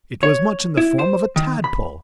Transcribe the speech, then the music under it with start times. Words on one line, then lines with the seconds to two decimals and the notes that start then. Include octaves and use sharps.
It was much in the form of a tadpole!
0.23 C#5
0.77 E4
0.99 C5
1.36 D#3
1.64 B5